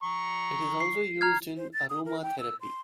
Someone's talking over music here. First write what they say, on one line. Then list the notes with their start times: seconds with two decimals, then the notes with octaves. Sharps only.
It is also used in aromatherapy.
0.03 A#5 C#6
0.80 C7
1.21 A#5 F6 G#6
1.57 C5
1.73 A6
1.90 D#6
2.05 A#4
2.22 G5
2.41 E6
2.61 C6